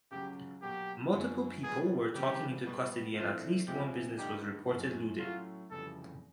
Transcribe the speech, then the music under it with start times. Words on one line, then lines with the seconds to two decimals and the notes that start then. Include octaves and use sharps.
Multiple people were taking into custody and at least one business was reported looted.
0.11 C#2 C#3 F#3 G4
0.62 B2 F#3 A#3 G4
1.13 F#2 D3 F3 A#3
1.64 B2 G3 B3 G#4
2.14 C#3 E3 G3 C4 G4
2.65 B2 G3 B3
3.16 A#1 A2 F3 A3 C4 F4
3.67 D2 C3 F3 G#3 C4 G4
4.18 G2 D3 G3 A#3 D#4 G4
4.68 G1 F#2 D#3
5.20 A2 F#3 A3 C#4 F4
5.70 F1 F2 C#3 E3 G3 A4